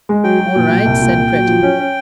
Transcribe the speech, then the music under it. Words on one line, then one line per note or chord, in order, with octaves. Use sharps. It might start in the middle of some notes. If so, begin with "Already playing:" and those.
"All right," said Breton.
G#3
F#3 G5
F#3
A#2
A#2
C2
A#2
A#2
F#3
F3
C#4
C#4